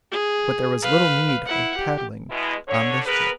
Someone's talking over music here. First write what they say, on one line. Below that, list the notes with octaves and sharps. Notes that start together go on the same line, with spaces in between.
But there was little need of paddling on this trip.
G#4
B4 F5
E4 F#5
G4
B2 G#3 E4
D3 C#5
B3 G#4 A#4 B4